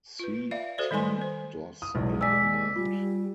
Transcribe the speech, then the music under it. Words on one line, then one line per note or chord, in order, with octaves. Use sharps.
C. T. Doss in command.
F4 B4
D5 E5 F5
F#4 A4 C5 D5
D#3 G3 A4 G#5 C6
C5
D#6
E1 B1 E2 G#3
D5 G#5 E6 B6
G3 F4